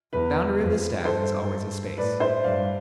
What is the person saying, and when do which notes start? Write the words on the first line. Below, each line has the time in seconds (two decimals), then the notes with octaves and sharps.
The boundary of the staff is always a space.
0.12 E2 B4
0.60 F2
1.05 G2 A4 C5
1.97 A2 B4 D5
2.20 C5 E5
2.44 G2 D5 F5